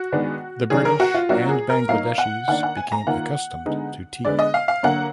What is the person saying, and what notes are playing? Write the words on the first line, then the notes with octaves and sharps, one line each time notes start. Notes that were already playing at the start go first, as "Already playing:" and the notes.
The British and Bangladeshis became accustomed to tea.
Already playing: F#4
D#3 G#3 B3 D4
D#3 F#3 D4 G#4
A#4
F#4
F4
F#3 A#3 D4 F4 F#4
G#4
A#4
F#3 A#3 D#4 F5
F#5
D#3 A#3 D4 F#5
F#5
G#5
A#5
D#3 A#3 F4 F#5
D3 G#3 B3 D#4
D3 G#3 B3 D5
D#5
F5
F5
D3 F#3 A#3 F#5